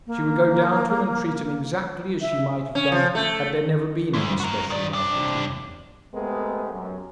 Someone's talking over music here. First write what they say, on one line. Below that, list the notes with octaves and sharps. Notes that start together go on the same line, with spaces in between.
She would go down to him and treat him exactly as she might have done, had there never been any special love between them.
A#3
E5
C#4
F3
A3
D2
F#4 A#4
D#3 D5
C3 D4
G#3 A3 B3 C4 G4 A#4
F#2